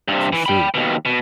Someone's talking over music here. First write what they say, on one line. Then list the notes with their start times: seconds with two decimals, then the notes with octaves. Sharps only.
For sure.
0.08 G2 C3
0.33 E3
0.46 G5 B5
0.74 D#2 B2
1.05 B2